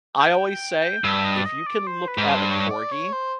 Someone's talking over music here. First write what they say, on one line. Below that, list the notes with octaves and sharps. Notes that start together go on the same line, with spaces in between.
I always say, if you can look at a corgi
G5
G2 E5
D#5
D5
D#5
D5
C5
B4
G#2
G2 C5
C#5
D5
C#5
C5